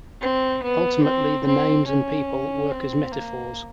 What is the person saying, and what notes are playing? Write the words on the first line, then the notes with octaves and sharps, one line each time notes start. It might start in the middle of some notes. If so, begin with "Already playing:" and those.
Ultimately the names and people work as metaphors.
C4
B3
C4
C4
C#4
C4
A#3